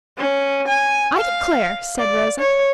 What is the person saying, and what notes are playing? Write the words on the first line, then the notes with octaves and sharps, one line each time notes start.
"I declare!" said Rosa.
C#4
G#5
F5
D5
C#5